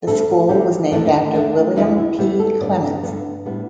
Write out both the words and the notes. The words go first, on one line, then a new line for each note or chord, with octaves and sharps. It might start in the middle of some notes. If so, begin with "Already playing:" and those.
The school was named after William P. Clements.
D2 D3 G3 A4
D2 D3 G3 G4
E2 D3 A3 D4
D4
D4
E2 D3 A3 D4
E2 D3 G3 B3 E4
E4
E2 D3 G3 B3 G4
A4
G2 D3 B3 D5
D4
G2 D3 B3
A2 G3 B3